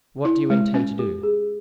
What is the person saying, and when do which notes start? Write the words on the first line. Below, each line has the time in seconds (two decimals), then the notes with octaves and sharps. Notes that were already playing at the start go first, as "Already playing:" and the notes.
What do you intend to do?
0.25 E4
0.50 G#3
0.74 C#4
0.99 G4
1.23 G#4